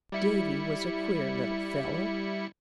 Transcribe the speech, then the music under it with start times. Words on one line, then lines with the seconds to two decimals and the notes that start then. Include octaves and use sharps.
Davy was a queer little fellow.
0.12 G3 E4 C#7